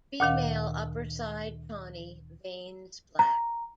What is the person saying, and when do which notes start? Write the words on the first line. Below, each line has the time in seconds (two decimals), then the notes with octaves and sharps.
Female upperside tawny, veins black.
0.20 D2 A#2 D#3 F5
3.19 A#5